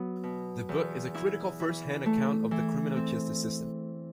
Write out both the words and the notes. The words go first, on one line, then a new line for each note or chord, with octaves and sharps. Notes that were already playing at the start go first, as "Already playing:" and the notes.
The book is a critical first hand account of the criminal justice system.
Already playing: F#3 B3
B2
E2
E4
E3
A3
E3
C4